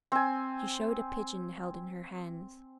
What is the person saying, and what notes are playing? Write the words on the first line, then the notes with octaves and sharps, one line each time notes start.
She showed a pigeon held in her hands.
C4 G#5